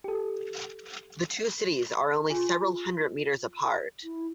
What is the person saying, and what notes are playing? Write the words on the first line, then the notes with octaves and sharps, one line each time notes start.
The two cities are only several hundred meters apart.
G4 A4
F4 G#4 G#5
E4